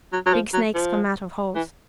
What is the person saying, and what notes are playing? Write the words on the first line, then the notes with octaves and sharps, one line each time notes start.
Big snakes come out of holes.
F#3
F#3
F3
F#3
F3
E3